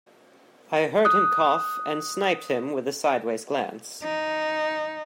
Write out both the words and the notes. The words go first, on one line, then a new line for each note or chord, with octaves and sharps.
I heard him cough, and sniped him with a sideways glance.
D#6 F#6
D#4